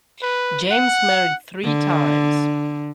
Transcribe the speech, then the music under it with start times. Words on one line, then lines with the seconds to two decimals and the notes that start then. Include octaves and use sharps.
James married three times.
0.23 B4
0.72 F#5
1.64 D3